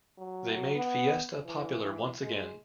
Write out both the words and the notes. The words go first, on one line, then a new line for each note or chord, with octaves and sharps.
They made Fiesta popular once again.
F#3
B3
E3
G#3